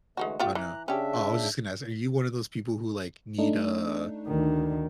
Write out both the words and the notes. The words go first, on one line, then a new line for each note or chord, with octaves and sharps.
Oh, no. Oh, I was just gonna ask, are you one of those people who, like, need a
D3 E3 G#3 A3 D#4 F#4
C3 A3 F4 G4
E3 A#5 F#6
C#3 C#4 D4 G4 E5
A3 D4 D#4
D2 D#3